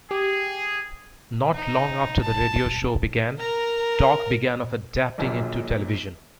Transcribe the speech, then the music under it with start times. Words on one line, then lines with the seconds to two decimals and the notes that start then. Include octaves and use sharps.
Not long after the radio show began, talk began of adapting it to television.
0.11 G4 G#4
1.54 D#4
2.21 A5
3.40 A#4 A#5
5.18 A#1 D#2 A#2 F#3